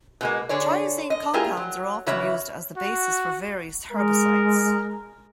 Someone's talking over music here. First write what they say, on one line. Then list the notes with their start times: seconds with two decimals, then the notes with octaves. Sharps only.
Triazine compounds are often used as the basis for various herbicides.
0.21 B2 G#3 A#3
0.49 D3 G#4 C#5 D5
1.10 D#5
1.33 A3 E4 F4 G4 G#4 A#4
1.57 F#3
2.06 C#3 E3 F#4 C#5 E5
2.77 F#4
3.91 G#3 A#4